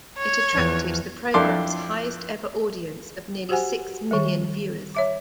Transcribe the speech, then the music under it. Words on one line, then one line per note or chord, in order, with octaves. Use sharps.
It attracted the programme's highest ever audience of nearly six million viewers.
C#5
E2 F3
F2 D4 E4 A4 C6 D6
F#4 G4 C5 F#5 G#5
D#3 G3
C#5 E5 D6